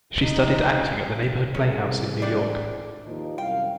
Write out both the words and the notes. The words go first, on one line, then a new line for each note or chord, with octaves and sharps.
She studied acting at the Neighborhood Playhouse in New York.
D#4
C2 E3 C#4 G#4
D4 G4 D5
D#2 F3 D#4
C2 F#2 F5 G5